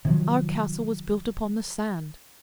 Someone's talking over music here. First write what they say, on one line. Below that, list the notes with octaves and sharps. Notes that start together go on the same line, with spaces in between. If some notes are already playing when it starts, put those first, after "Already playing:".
Our castle was built upon the sand.
C3 D#3 F3 F#3